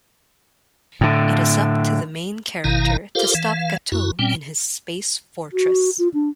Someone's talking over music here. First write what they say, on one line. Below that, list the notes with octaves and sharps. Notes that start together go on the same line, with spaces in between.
It is up to the main character to stop Gateau in his space fortress.
A2 D3
G#1 B2 D#3 E4 F5 A#5
F4 G4 A4 A#4 C5 F5
E3 F5
F#2 E4 F#4
A#2 G3 C4 C#4 G5
F#4
F4
D4